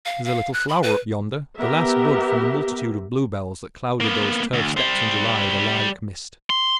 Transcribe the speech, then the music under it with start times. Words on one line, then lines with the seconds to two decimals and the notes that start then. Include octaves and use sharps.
There's a little flower up yonder, the last bud from the multitude of bluebells that clouded those turf steps in July with a lilac mist.
0.06 F5
0.25 F5
0.53 F#6
0.68 B5
0.83 B4
1.58 B3 G4 A#4 E5
4.01 A#3 B3
4.54 D2
4.77 G3 C5
6.50 C6